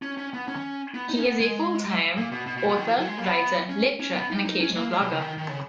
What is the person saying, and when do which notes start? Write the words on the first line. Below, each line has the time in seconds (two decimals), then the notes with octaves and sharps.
He is a full-time author, writer, lecturer and occasional blogger.
0.02 C#4
0.18 C#4
0.33 B3
0.48 C#4
0.94 B3
1.09 D#4
1.19 C#4
1.25 B3
1.40 G#3
2.17 A#2
2.32 B2
2.47 B2
2.57 B2
2.68 B2
2.77 D#3
2.87 F3
2.98 F#3
3.08 G#3
3.18 A#3
3.24 B3
3.69 C#4
4.00 C#4
4.16 B3
4.30 D#4
4.46 D#4
4.60 C#4
4.70 G#3
4.76 A#3
4.92 G#3
5.01 B2
5.12 C#3
5.22 D#3
5.38 D#3
5.49 C#3